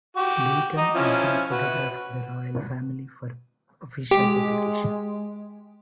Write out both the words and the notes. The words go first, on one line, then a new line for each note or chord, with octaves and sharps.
Beaton often photographed the Royal Family for official publication.
F#4 G5 D6
D#5 A#5 D#6
F3 C#4 E4
F#4 B4
G#3 G4